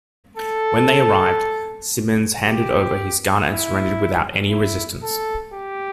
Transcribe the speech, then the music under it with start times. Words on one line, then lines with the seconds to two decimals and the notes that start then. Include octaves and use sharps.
When they arrived, Simmons handed over his gun and surrendered without any resistance.
0.37 A4
2.44 G4
3.47 E4
4.50 E4
5.03 A4
5.54 G4